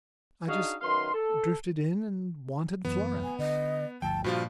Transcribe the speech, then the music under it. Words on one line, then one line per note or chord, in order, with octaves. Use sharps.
I just drifted in and wanted Florence.
D4 D#4 F#4 G#4 D#5 F5
F#2 D#3 B4 F5 C6
A4
F#2 E3 B3
G#5
D3 D#5
G1 D2 F3 G5 A5
G2 A#2 F3 F4 F#4